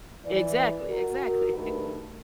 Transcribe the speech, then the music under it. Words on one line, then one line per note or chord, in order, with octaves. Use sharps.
Exactly, exactly.
E3 D5
F#4 A#4
G2 D#3 A3 A4 B4